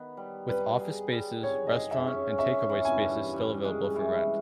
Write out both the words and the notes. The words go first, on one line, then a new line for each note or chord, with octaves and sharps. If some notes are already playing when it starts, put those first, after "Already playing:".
With office spaces, restaurant and take away spaces still available for rent.
Already playing: D#3 B3
G3
G3 B4
G#4
G3
G#4 C#5
D#5
G#4
E5
C#4
C#4 E5
E3
G#5
G2
G2
G#3
E3